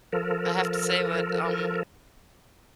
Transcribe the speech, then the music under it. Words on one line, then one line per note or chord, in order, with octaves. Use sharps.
I have to say that, um,
F3 A4 A#4